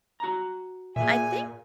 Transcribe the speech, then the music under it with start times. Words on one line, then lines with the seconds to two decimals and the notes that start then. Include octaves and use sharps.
I think
0.20 F#4 A#5
0.96 A#2 G#4 E5 G#5